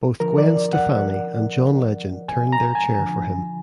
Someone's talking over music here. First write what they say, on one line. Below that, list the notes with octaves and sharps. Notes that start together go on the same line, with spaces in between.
Both Gwen Stefani and John Legend turned their chair for him.
D3 F3 A#4
D5
F#5
G#5
A#5
G#5
D3 F3